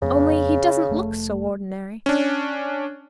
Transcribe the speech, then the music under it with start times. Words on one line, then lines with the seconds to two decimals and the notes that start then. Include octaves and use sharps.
Only he doesn't look so ordinary.
0.02 F2 C#3 A#3 B3
0.89 F1 A3
2.06 C#4 D4